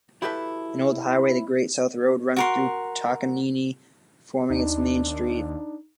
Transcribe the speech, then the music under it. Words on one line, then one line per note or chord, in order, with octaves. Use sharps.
An old highway, the Great South Road, runs through Takanini, forming its main street.
E4 F#4 G4 A4 B4 E5
F#4 A#4 C6
D#2 D4 D#4